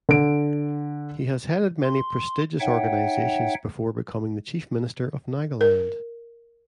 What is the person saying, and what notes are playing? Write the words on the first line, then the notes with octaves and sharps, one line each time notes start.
He had headed many prestigious organizations before becoming the Chief Minister of Nagaland.
D3 D7
C6
D#4 C#5 E5 F#5 G5
A#4